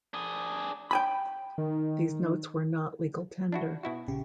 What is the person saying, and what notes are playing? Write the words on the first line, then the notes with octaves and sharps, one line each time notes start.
These notes were not legal tender.
D4 G#4
G5 G#5 B5
D#3
D4 E4 F#4
B2 E4 F#4
A#1 C#3 G4